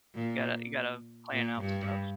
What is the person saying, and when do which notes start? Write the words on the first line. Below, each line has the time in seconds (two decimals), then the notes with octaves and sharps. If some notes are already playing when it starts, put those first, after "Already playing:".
Gotta you gotta plan out stuff.
0.15 A#2
1.32 A#2
1.61 G2